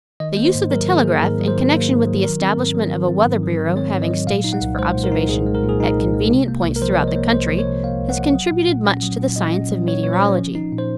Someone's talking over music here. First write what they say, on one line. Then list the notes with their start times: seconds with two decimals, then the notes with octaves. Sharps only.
The use of the telegraph in connection with the establishment of a weather bureau having stations for observation at convenient points throughout the country has contributed much to the science of meteorology.
0.20 D#3 D#5
0.37 A#3
0.45 C5
0.55 G#2
0.70 F#3 A#4
0.88 D#3
0.97 G#4
1.05 A#3
1.22 G#2 A#4
1.39 F#3
1.48 C5
1.56 D#3
1.73 A#3
1.89 G#2
2.07 F#3
2.24 D#3 A#4
2.41 C4
2.49 A#4
2.58 G#2
2.75 F#3
2.91 D#3
3.08 C4
3.26 G#2
3.43 F#3
3.60 D#3
3.76 C4 C#5
3.94 G#2
4.02 D#5
4.11 F#3
4.27 A#2 F5
4.44 D#4
4.53 F#5
4.62 C2
4.78 G#3 C5
4.95 A#2
5.04 A#4
5.12 D#4
5.29 C2 G#4
5.46 G#3
5.55 A#4
5.63 A#2
5.69 G#4
5.80 D#4 A#4
5.97 C2
6.14 G#3
6.31 C3
6.48 A#3
6.65 C2
6.76 A#4
6.82 F3 C5
6.99 C3 D#5
7.08 C#5
7.16 A#3
7.33 C2 C5
7.50 F3
7.59 C#5
7.67 C3
7.83 A#3 F5
8.01 C2
8.10 F#5
8.18 F3
8.35 F#3
8.51 A#2
8.69 A#2
8.85 C#4
9.03 F#3
9.20 A#2
9.36 A#2 D#5
9.54 C#4
9.71 F#3
9.88 A#2 C#5
10.03 A#2 C#5
10.13 C5
10.22 C#4
10.39 F3
10.55 D#4
10.72 A#2
10.78 C5